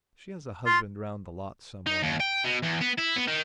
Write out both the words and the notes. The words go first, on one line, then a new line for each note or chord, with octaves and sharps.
She has a husband round the lot somewhere.
F4 C6
D#4
D#2
G5
B2
E2
B3
E4
B3
D#3